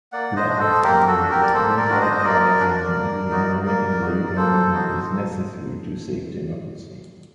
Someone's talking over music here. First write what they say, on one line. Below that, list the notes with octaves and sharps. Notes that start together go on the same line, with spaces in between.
Block has argued that revitalizing the American labor movement is necessary to save democracy.
A#3 D5 F#5
C5 D#5
D4 F#4
A4 C5
A#3 G4 A#4
F#4 A4
D4 F#4
G4 A#4
D5
A#3 A4 C5
A#4 D5
D4 F#4
C5 D#5
D#5
A#3 A#4 D5
D4 F#4
A#3
D#4 F#4
A#3 A#4 D5
D#4 F#4
D5
A#3 A4 C5
D#4 F#4